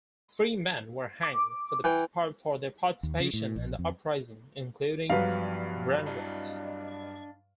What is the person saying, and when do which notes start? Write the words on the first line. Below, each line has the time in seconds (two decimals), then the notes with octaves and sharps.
Three men were hanged for their participation in the uprising, including Brandreth.
1.23 D6
1.84 E3 G5
3.03 D#2
3.20 C#3
3.34 A2
3.56 A#1
3.79 F2
5.10 G2 F3 F#3 B3 B4 F5
6.06 D4 D#5